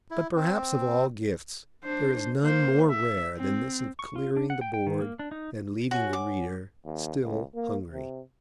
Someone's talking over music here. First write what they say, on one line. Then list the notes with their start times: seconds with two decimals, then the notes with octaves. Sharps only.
But perhaps of all gifts there is none more rare than this of clearing the board and leaving the reader still hungry.
0.11 E4
0.36 C4
1.84 D4 C5
2.42 A#3 C5
2.90 E5
3.37 C4
3.99 C#6
4.16 F4
4.37 D4
4.50 F#5
4.61 G5
4.74 G5
4.87 D#3
5.01 A#3
5.19 D4
5.31 D#4
5.91 F#4 C#5 F#5 G#5
6.13 D6
6.85 D#2
7.23 C#2
7.55 A#3
7.91 C3